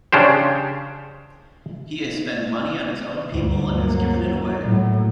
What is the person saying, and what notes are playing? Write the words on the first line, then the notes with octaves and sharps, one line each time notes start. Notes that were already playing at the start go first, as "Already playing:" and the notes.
He has spent money on his own people and has given it away.
C#3 C#4 D4 G4 C5
D2 G2
F#3 A#3
A2 F#3